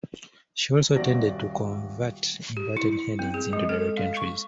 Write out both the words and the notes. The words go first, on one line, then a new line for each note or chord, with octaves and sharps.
She also tended to convert inverted headings into direct entries.
D#1 F#4 D5 A#6
G4
E4
C4
G#4
G#3
A4
F5
C#6